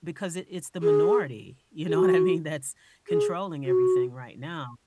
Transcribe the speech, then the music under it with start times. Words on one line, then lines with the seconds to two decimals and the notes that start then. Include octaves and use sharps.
because i it's the minority. You know what I mean? That's controlling everything right now.
0.83 G#4
1.88 G#4
1.96 F#4
3.09 G#4
3.66 F#4